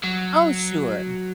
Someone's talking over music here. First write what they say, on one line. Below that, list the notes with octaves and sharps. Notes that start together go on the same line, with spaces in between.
Oh, sure.
F#3